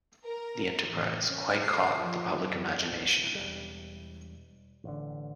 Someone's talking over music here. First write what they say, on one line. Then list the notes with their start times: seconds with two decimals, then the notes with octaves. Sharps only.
The enterprise quite caught the public imagination.
0.25 A#4
0.89 A1
1.27 C#4
1.62 C7
1.99 F3
2.43 F#2
2.91 B1
3.35 E1 G3
4.84 A1 D3